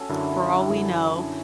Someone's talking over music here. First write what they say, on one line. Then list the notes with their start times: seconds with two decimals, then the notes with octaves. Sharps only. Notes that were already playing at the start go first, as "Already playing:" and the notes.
for all we know,
Already playing: C#4 F#4 A4 C#5
0.09 F#2 D3 F#3 E4
0.20 D4
0.32 C#4
0.42 D4
0.70 F#2 D3 F#3 C#4 E4
0.85 C#4
1.00 D4
1.16 C#4